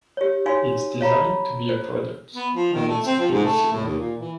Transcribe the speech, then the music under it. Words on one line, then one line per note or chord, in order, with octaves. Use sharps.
It's designed to be a product, and it's a flimsy one.
G4 C#5
D#4 F#4 C#5 F5 G#5 C6
C#5 F5 A#5 B5
C5
B3
F3
D#3
A3
C4
F3
G#2
A3
A2
D#2
A#2
E3